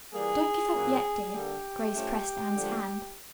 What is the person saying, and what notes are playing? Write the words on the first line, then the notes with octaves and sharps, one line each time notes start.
"Don't give up yet, dear," Grace pressed Anne's hand.
E3 G3 A#3 G#4
A#2 F#3 A#3 C#4
D3 G3 A#3 G4
F3 A3 C#4
D3 F3 G#3